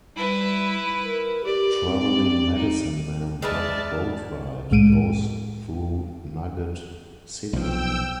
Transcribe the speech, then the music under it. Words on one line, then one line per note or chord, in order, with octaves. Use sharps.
Traveling medicine man Doc Boatwright goes through Nugget City.
G3 E4 B4
A#4
G4 D5
C4
D#4
G#3 B4 D5 E5 A5 F6
C2 A2 G#3 D7 D#7
B1 F3 G5 E6